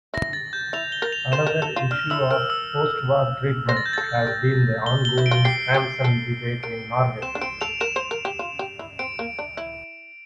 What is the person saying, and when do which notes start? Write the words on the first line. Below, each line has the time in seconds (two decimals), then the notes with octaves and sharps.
Another issue of post-war treatment has been the ongoing Hamsun debate in Norway.
0.14 E4 A#6
0.33 A6
0.53 G6
0.73 E4 F7
0.92 G7
1.02 A#4
1.12 F7
1.32 C5 E7
1.47 A#4
1.62 A4
1.76 F4
1.91 D4 F6
2.10 E4 E6
2.30 A#4 F6
2.50 E6
3.69 C5 A#6
3.77 A6
3.86 G6
3.93 A4 A6
4.27 G4
4.86 G7
5.05 G7
5.18 E4
5.26 D7
5.31 F4
5.45 G4 C7
5.74 G4
6.04 A4
6.63 A#4 D7
7.22 C4 E7
7.35 D4
7.41 C4 D7
7.61 A4 F7
7.81 A#4 E7
7.96 C5
8.11 A#4
8.25 G4
8.39 F4
8.59 G4
8.79 E4
8.99 C4 D7
9.19 A#3
9.39 D4
9.57 E4